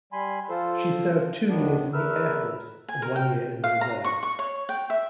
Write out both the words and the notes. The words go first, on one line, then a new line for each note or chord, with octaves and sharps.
She served two years in the Air Force and one year in the reserves.
G3 G#5 B5 C6
F3 F4 A4 C5
D#2 A2 D#3 B3 D4
E2 A3 A#4 B4 E6 F6
G#5
A#4
G5
F5
A#5
C#6
C#6
C#5
G5
E5